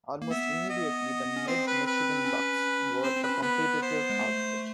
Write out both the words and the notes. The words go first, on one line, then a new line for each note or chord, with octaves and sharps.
Almost immediately, the Mid-Michigan Bucks were a competitive outfit.
A#3
B3 E5
D#5
C#4
C4 C5
B4
B4
C#4
C4 C5
C4
B4
C#4
B3 B4
C5
G#3
A3